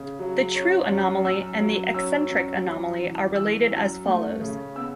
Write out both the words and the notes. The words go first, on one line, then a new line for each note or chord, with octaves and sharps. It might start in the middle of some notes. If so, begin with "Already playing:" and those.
The true anomaly and the eccentric anomaly are related as follows.
Already playing: C#3
F#3
C#4
F#2
F#2 E6
F#3
C#4 E6
F#2
F#2
E3
E3 E6
F#2
A3
C#3
B3 E6